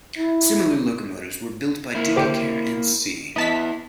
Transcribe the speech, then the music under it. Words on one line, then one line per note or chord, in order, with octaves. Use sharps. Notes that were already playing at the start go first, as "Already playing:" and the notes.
Similar locomotives were built by Dick, Kerr and C.
E4
A#3 E4
D3 G4 C5
B3 E4 D#5 A5 B6